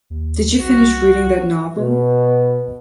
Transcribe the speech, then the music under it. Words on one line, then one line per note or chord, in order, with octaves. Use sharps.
Did you finish reading that novel?
D#2
C2 F#4
B2